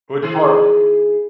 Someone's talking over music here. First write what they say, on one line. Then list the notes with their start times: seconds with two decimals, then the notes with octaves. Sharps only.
What part
0.22 D#3 E4 G#4